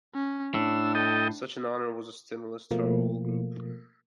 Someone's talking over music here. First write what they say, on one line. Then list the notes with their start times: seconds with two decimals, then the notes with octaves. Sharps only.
Such an honour was a stimulus to our whole group.
0.14 C#4
0.54 A2 D4 E6
0.95 A4 D#5 G5
2.71 B2 F3 A3 A#3